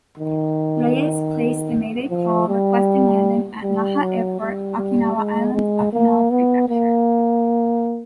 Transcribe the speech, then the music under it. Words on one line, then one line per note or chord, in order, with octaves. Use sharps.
Reyes placed the Mayday call, requesting landing at Naha Airport, Okinawa Island, Okinawa Prefecture.
D#3
F3
G3
G3
F#3
G3
G3
G#3
G#3
A#3
B3
A#3